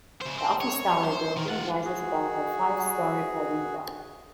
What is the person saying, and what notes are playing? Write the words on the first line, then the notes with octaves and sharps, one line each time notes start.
The office tower building rises above a five-storey podium block.
C#3 C5
C4 C5
C#5
C5
D#3
F4 F#5
F#4 G#4